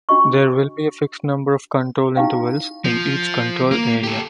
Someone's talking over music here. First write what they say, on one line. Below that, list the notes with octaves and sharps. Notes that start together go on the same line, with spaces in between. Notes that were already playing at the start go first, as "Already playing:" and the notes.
There will be a fixed number of control intervals in each control area.
D4 F#4 D#5 C#6
D#4 E4 G4 F5 G5
F3
A#3
G4 A4